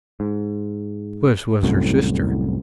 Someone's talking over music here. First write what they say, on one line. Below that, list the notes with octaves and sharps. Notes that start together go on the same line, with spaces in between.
Puss was her sister.
G#2
C2 F#2 A2